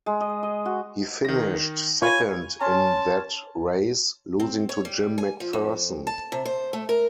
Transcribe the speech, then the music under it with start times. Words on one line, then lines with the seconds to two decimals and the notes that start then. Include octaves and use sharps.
He finished second in that race, losing to Jim McPherson.
0.06 G#3
0.21 D#5
0.43 D#5
0.66 F#4
1.25 D#3 A#6
2.02 F4 C#5 G#5 B5 C#6
2.61 C#4 A5 C6
4.40 C4
4.69 C#5
4.85 G3
5.18 G#5
5.40 F3
5.53 F2
6.07 A5
6.32 C3
6.45 C5
6.73 A3
6.89 A#4